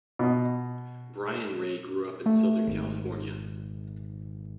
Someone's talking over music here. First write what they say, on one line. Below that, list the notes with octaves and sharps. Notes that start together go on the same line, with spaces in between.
Brian Ray grew up in Southern California.
B2 D#5
A3
G#1